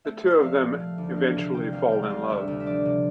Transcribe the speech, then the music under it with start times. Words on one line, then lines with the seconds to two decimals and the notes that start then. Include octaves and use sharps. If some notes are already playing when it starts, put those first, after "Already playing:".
The two of them eventually fall in love.
0.05 A3 E5
0.24 C2
0.33 E5
0.42 F3 F5
0.61 A#2
0.79 A3 F5
0.98 D2
1.16 E3 F5
1.35 C3
1.54 C2 G5
1.73 C2 F5
1.92 G3 G5
2.03 G5
2.10 C3 F5
2.29 D2 E5
2.48 D2
2.60 E5
2.66 F3 D5
2.85 C3